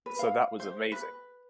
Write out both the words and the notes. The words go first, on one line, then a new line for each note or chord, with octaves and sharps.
So that was amazing.
B4
F5
C5
B4